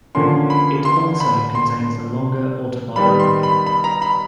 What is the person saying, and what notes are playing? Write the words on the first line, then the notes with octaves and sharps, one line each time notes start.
It also contains a longer autobiography.
D3 F3 A#3 C#4 C6
B5
C6
B5
C6
D#3 G3 B3 B5
C6
B5
B5
A#5
B5